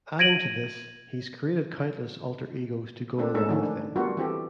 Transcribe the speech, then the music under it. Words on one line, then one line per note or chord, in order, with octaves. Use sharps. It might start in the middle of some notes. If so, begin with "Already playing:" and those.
Adding to this, he's created countless alter egos to go along with them.
G#6 A#6 D7 D#7 F#7
A3 C4 D4 A4
G#3 A#3 C#4 D#4 A4
D3 D#3 F3 A3 C#4
D4
G3 A#3 B3 D4 F4 F#4
E3 C4 G4 A4